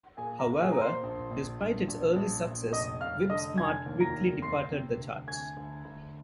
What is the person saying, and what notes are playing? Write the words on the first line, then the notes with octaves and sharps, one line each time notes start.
However, despite its early success, "Whip-Smart" quickly departed the charts.
A#2 G#4 G#5
A#4 A#5
A#2
G#4 G#5
A#2 A#5
C5 C6
A#1
A#1
A#1
A#1
A#1
A#1
F1 D#5 D#6
F1 F5 F6
D3 D#5 D#6
F1 G#5 G#6
D#2
A#5 A#6
F1
C3 C6 C7
C3
D2
D2 G#5 G#6
D2
D2